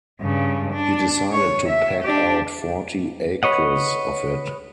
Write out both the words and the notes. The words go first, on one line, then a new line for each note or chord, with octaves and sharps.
He decided to peg out forty acres of it.
G2 C#3
D4
C#5
E5
D4 G4
B4 C#5 D#5 F#5